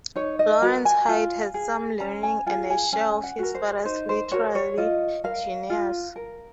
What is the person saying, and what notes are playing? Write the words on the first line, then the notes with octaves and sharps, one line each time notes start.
Laurence Hyde had some learning and a share of his father's literary genius.
D#4 C#5
D#5
F#4 A#4 A#5
G#5
F4
G#4
C#4 A#5
G#5
F4 G#4 G#5
G#5
C#4 G#5
F#5
F#4 A#4
C5
D#4 C5
C5
F#4 A#4 C#5
C#5
F4 D#5
A#4 F5
F4
A#4